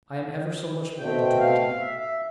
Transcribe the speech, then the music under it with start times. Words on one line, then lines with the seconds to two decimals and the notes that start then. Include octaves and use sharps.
I am ever so much more than twenty.
0.99 B2 A3 C4 G5
1.39 F5
1.80 E5
2.00 E5